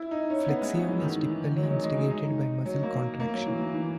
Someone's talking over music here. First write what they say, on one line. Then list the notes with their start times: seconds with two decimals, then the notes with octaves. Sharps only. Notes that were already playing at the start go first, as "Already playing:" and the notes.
Flexion is typically instigated by muscle contraction.
Already playing: E4
0.11 D#4
0.30 C#4
0.48 B3
0.61 G#3
0.74 F#3
0.88 E3
1.02 D#3
1.29 E3
1.56 F#3
1.63 G#3
1.70 F#3
1.84 G#3
1.97 G#3
2.10 D#4
2.66 F#3
2.83 A#3
3.20 A#3
3.34 F#3
3.46 E3
3.61 E3
3.74 E3